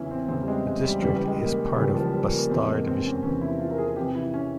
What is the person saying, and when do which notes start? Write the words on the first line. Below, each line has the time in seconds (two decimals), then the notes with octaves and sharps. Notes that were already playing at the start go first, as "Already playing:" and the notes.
The district is part of Bastar Division.
Already playing: E2 C#3 E3 C#4 E4
0.11 C4
0.28 E2 C#3 E3 C4
0.43 G3
0.48 G#3
0.66 G#3
0.83 G3
1.02 C#2 C#3 E3 G3
1.16 G3
1.27 G#3
1.39 A#3
1.76 C#2 C#3 E3 G3
1.95 F3
2.12 G3
2.31 A#3
2.49 E2 C3 E3 C4
2.61 G#3
2.67 A#3
2.87 C4
3.05 C#4
3.23 E2 C3 E3 C#4
3.41 E4
3.60 F4
3.71 A#4
3.78 G#4
3.96 F2 C3 E3 G4
4.15 E4
4.34 C#4